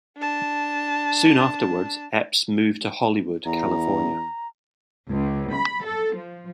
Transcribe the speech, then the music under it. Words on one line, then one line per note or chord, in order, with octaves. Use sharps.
Soon afterwards Epps moved to Hollywood, California.
D4 A5
E2 A#5
C#2
B5
A4
F3